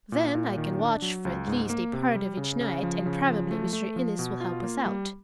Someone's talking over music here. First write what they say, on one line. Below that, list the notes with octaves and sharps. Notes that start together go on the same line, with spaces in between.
Then I can watch for at least a part of each night and probably Mr. Innes will help us out.
A#2
A#2
D#3
D4
F#3
C#2
G#2
A#3
C3
G3
C#3
C#3
F3
C#3
F3
A3
A3
F3
B2
F4
A#3
G3